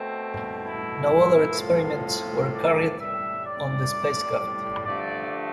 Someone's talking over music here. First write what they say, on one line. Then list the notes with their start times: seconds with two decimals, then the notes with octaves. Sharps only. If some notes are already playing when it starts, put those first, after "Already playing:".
No other experiments were carried on the spacecraft.
Already playing: B2 A3 C4
0.66 E4
1.12 A2 F3 A3
1.59 F4
2.05 F4
2.53 D5
2.99 A2 G3 E5
3.45 D5
4.85 G2 D3 F3 A3 D5